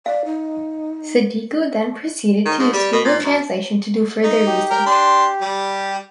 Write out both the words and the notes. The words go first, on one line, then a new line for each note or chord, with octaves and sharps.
Sadiku then proceeded to use Google translation to do further research.
D5 F5
D#4
D#3
G#2
G3
B2
A#2
F#2
D#4
G4
A#4 G5
D4 C6
G3